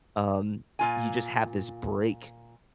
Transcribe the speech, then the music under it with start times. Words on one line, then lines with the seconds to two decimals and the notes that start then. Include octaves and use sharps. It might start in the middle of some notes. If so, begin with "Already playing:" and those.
um, you just have this break
0.79 A#2 F4 G#5